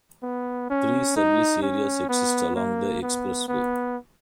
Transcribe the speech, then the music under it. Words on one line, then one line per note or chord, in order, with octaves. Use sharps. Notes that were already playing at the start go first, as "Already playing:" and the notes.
Three service areas exist along the expressway.
B3
C#4
D#4
C#4
B3
A#3
B3
B3